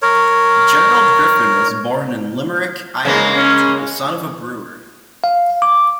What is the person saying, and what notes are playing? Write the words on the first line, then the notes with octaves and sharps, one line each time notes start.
Gerald Griffin was born in Limerick, Ireland, the son of a brewer.
A#4 C#5
C#3 G#3 A#3
C#4
F5
D6